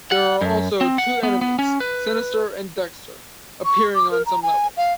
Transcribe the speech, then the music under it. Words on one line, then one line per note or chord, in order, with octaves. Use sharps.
There are also two enemies, Sinister and Dexter, appearing on some levels.
F#5
F#2
C4
F#5
B3
B3
C#4
B4
C#6
D6
A#4
A#5
G#5
F5